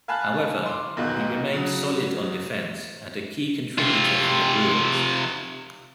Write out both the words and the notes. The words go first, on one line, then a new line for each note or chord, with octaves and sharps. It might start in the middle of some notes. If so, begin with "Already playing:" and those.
However, he remained solid on defense and a key contributor for the Bruins.
F5 G#5 A5 B5 F6 F#6
C6 D6
E1 B1 B2 D#3
C#3 F#3
C3 F4